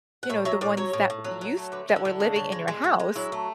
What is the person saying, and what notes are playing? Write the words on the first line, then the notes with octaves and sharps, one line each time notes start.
you know, the ones that used that were living in your house,
F#5
A2 E5
F#3 E5
A2 D5
F#3 C#5
A2
A2
F#3
F#3
A3
D3 B4
D3
E4
D3
C#3
C#3
G#3
G#3
G#3
G#3
F#3 E4
A3